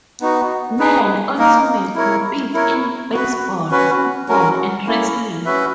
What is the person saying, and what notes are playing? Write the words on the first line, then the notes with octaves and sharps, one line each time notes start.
Men also may compete in baseball, football and wrestling.
B3 D#4 F#4
D#4 G#4 B4
A#3 D#4 A#4
E4 A#4 C#5
E4 A#4 C#5
B3 F#4 B4
C#4 F#4 B4
F#3 C#4 F#4 A#4
A#3 C#4 E4
C#4 F#4 B4 E5